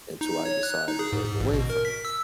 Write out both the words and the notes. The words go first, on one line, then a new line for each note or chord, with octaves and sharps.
until I decide to break away from it.
D#4
C#5
F#6
D#4
G#4
G#2
G#2
A1
B2
A#4
B6
E6